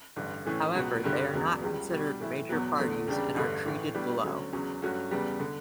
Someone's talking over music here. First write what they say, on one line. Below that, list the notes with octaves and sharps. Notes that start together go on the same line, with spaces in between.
However, they are not considered major parties, and are treated below.
A1 G2 D3
A2 E3 A3 C#4
C#2 B2 F#3 B3 F#4
G2 D3 G3
E1 E2 C#3 F#3
C#2 C#3 G3
B2 G3 D4 F#4
A2 E3 A3 E4
E2 B2 F#3 B3
E2 D3 A3
E2 C#3 G3 D4 G4
A1 G2 D3 A3
A1 A2 E3
A2 G3 B3 D4
D2 D3 F#3 C#4
E2 C#3 F#3 C#4
G2 F#3 A3 C#4 F#4
E2 C#3 G3 B3
D3